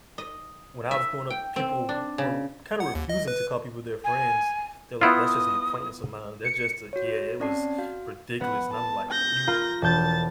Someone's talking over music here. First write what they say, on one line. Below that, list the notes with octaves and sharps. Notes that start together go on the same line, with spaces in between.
When I was growing up, people were kinda refusing to call people their friends, they're like, "That's just an acquaintance of mine," or "That just a" Yeah, it was ridiculous, and I'm like, "You"
D#5
E5
G5
C4
D4
C#3
F#5
D#2
D#5
B4
G#5
B3 E4 F4 D#6
C#7
F#4 C#5
C4 C#4 D5 A5 C7
F#4 F5
B3 F#5
A5
G6 A#6
F4 A#4 A#5
E1 A5 G6 A6